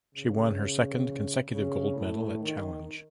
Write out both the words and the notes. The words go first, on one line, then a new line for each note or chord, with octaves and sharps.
She won her second consecutive gold medal at Challenge.
C#3
C#3
A2
D#3